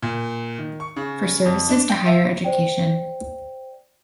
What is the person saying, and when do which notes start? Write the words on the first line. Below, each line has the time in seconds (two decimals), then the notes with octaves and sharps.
For services to Higher Education.
0.02 A#2
0.58 D#3
0.80 C#6
0.96 C#3
1.45 F2
1.69 D4
1.90 G5
2.06 E5
2.44 C5 D5 G5